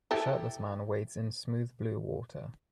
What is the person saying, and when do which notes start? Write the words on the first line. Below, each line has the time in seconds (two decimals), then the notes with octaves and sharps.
A shirtless man wades in smooth blue water.
0.11 E4 G4 A4